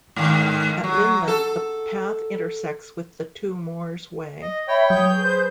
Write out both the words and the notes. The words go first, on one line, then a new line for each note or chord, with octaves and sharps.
At Lynmouth the path intersects with the Two Moors Way.
G#2 D#3
F#3
A4
D#5
C#5 E5 G5 B5
F#3 D#6 G6
G#4 B4
C5